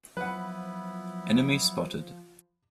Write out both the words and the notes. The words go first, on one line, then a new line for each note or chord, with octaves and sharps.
Enemy spotted!
F3 F#3 B3 E4 B4 F#5